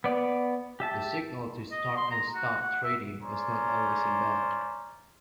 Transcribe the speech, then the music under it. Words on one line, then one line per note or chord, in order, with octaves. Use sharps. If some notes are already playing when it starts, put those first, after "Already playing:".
The signal to start and stop trading was not always a bell.
B3 D5
G4 E5 A5
D#5
C6
A#5
F#4
F#5
E5
C#4 C5 D5 A#5